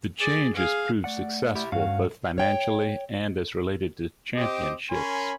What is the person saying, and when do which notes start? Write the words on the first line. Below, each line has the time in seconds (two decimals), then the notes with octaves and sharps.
The change has proved successful, both financially and as related to championships.
0.19 G#4 D5
0.55 G#4 F5
1.04 A3 D5 F#5
1.55 E4 G4
1.72 G2 C#4 F#4 F5
2.38 C#5 G5
4.36 C4 G4 C5 D#5 D6
4.91 C#4 A#4 C#5 G#5 B5 C6